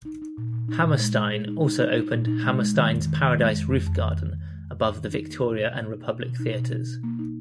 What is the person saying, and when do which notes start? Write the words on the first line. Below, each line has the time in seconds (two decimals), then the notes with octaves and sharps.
Hammerstein also opened Hammerstein's Paradise Roof Garden above the Victoria and Republic theatres.
0.05 D#4
0.22 D#4
0.37 A#2
0.53 A#2
0.68 D#4
0.84 A#2
1.00 G#3
1.16 G#3
1.32 G#4
1.48 D#4
1.64 D#4
1.80 D#4
1.95 D#4
2.11 A#2
2.27 D#4
2.43 G#3
2.59 G#3
2.75 D#3
2.91 F2
3.06 D#3
3.22 D#3
3.38 G#3
3.55 F2
3.70 F2
3.86 F2
4.02 D#3
4.17 F2
4.33 F2
4.49 G#3
4.65 F2
4.81 F2
4.96 D#3
5.12 D#4
5.29 A#3
5.44 B2
5.60 B2
5.76 A#3
5.92 D#4
6.08 B2
6.23 B2
6.39 D#4
6.55 B2
6.72 D#4
6.87 D#4
7.03 A#3
7.19 D#4